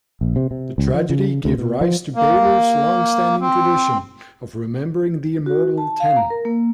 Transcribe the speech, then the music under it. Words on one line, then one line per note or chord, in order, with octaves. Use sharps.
The tragedy gave rise to Baylor's longstanding tradition of remembering The Immortal Ten.
A#1
C3
C3
C#2
F3
C#3
D2
B2
F3
A#3
C4
F#4
A5
F5
A#5
A#4
A#3